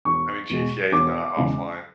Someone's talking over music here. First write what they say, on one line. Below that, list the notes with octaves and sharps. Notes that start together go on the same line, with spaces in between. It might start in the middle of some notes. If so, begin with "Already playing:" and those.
I mean, GTA is not offline.
E1 C#6
E2 B2 G#3
E1 D6
E2 C#3 G#3